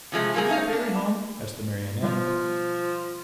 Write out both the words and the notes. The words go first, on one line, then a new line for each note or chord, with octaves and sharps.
"Is the Fairy home?" asked the Marionette.
C3 F3 G#3 A3
G3 A#3 G#4
A3 D#4 F5
D4
B2 F3 G3